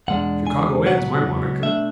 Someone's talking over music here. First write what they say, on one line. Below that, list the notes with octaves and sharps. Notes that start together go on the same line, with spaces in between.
"Chicago Ed.'s my monaker."
E2 B2 G#3 D4 F#5
G#5
C#2 C#3 F#3 B3 F#5
B2 A3 D4 E5